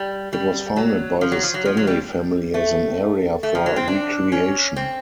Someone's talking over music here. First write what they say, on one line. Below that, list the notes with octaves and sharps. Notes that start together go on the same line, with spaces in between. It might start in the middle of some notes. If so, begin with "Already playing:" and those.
It was founded by the Stanley family as an area for recreation.
Already playing: G3
G3
F#3
F3
F#3
F3
F#3
F3
F#3
G3
A3
A3
F3
F#3
C4
D4
C#4
C4